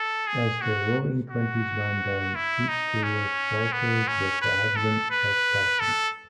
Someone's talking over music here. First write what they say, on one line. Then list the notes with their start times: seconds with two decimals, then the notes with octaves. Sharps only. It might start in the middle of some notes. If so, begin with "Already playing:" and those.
As the Roaring Twenties wound down, Sweet's career faltered with the advent of talkies.
Already playing: A4
0.27 G#4
0.61 F#4
1.30 F#4
2.35 E4
2.68 D#4
3.03 C#4
3.72 B3
4.08 C#4
4.42 B4
4.76 A4
5.11 B4
5.80 A4